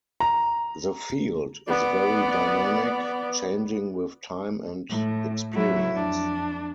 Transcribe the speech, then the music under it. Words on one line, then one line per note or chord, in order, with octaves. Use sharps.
The "field" is very dynamic, changing with time and experience.
A#5
B3 D5
A2
F#3 E4
F2 D4